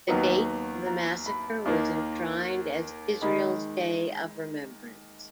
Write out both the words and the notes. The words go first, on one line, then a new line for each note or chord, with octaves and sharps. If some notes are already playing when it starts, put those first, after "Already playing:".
The date of the massacre was enshrined as Israel's Day of Remembrance.
D#2 D#3 F#3 B3
A#5
B5
D#2 D#3 A#3
D#3 G#3 B5